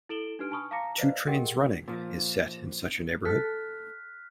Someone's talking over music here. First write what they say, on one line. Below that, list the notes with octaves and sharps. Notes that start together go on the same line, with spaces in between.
"Two Trains Running" is set in such a neighborhood.
E4 A4 D7 E7 F#7 G7
D4 D#4 G4 B4 F6 D7
G#5 A5 B5 C#6 D#6 F6
F5 A5 A#5 D6 A#6 C#7
B4 C5 D5 D#5 F5
G4 G#4 A#4 D#5 F#5 G5
A#2 F3
A4 F6 F#6 B6